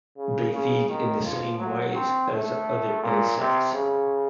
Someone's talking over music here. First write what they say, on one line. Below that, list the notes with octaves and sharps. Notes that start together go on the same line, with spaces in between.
They feed in the same ways as other insects.
C#3
C#3
D#3
F3
F#3
C4
A3
A#2
C3
C#3